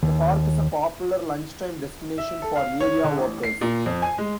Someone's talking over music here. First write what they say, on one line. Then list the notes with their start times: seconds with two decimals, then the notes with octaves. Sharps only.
The park is a popular lunchtime destination for area workers.
0.03 D#2
2.18 E5
2.42 A4
2.56 F5
2.80 C#5
3.04 D3
3.17 A1
3.43 C7
3.61 A#2
3.86 F2
4.02 G#5
4.18 G#3